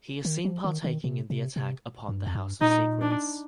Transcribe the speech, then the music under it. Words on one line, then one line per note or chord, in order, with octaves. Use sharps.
He is seen partaking in the attack upon the House of Secrets.
D#3
F3
D#3
D#3
C3
C3
C3
G2
F2
G2
A#2 D#4
D4